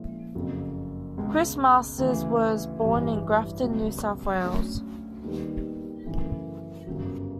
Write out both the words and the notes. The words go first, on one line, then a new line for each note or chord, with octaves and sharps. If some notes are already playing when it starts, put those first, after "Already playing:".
Chris Masters was born in Grafton, New South Wales.
Already playing: A#2 F3 G#3 C#4 E4
F#1 F2 C#3 F#3
C#2 B2 G#3
D2 C#3 E3
A1 G2 E3
C#2 B2 F#3
D2 D3 F#3 A3 C#4
D#2 D#3 G3 B3
F#2 C#3 E3 A3
G1 F#2 C#3 F#3